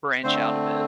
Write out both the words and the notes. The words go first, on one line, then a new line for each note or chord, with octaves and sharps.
branch out a bit.
D3 A3 C4 C5